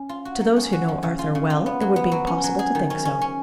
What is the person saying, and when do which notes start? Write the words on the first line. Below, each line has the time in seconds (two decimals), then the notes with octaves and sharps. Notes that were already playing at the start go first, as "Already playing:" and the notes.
"To those who know Arthur well, it would be impossible to think so."
Already playing: C#4
0.09 F4
0.25 F#4
0.41 F#3
0.56 C#4
0.73 F#4
0.88 F3
1.03 C#3
1.19 F4
1.35 C#3
1.50 F4
1.66 B3
1.81 F#3
1.96 B3
2.12 F#3
2.27 C#4
2.44 F#3
2.59 G#4
2.75 D#3
2.90 C#4
3.05 C#4
3.22 C#4